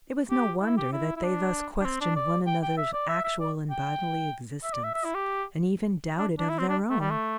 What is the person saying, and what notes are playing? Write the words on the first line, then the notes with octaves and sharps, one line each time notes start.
It was no wonder that they thus questioned one another's actual and bodily existence, and even doubted of their own.
G4
E4
G4
E4
E4
D4
D4
C4
D4
D5
G5
G5
E5
D5
E5
E5
D5
G5
E5
D5
E5
E5
E4
G4
D4
D4
E4
C4
D4
A3
G3
A3